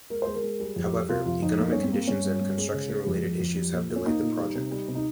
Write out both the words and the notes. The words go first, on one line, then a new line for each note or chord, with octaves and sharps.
However, economic conditions and construction-related issues have delayed the project.
G#3 A#4
G#3 C5
A#4
G#3
G3 G#4
F2
G4
G3
C3 F4
F2 F4
F2 D#4
A#3 D#4
G2 C#4
C4
A#3
G2 C#4
G2
G2
G#3
C#3
G#3
F2
F2
F2
G3
A#2
A#2
C#4
A#3 D#4
A#2
G3
C3
G3
C3
D#4